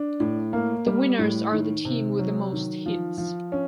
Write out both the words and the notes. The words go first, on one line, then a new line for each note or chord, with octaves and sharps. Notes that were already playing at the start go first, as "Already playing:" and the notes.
The winners are the team with the most hits.
Already playing: D4
A2
A#3
G3
A2
D#3
C3
F#3
D#3
F3
F3
C#4